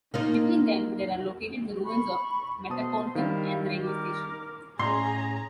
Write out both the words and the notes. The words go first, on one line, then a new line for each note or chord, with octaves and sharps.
Between them there are located the ruins of Metapontum and the railway station.
A#3 D#4 F4
B5 C#6
B2 C5 A5 D#6
D#3 G3 E4 F5
A#4 D6
A2 C#4 G#4 A#5 C6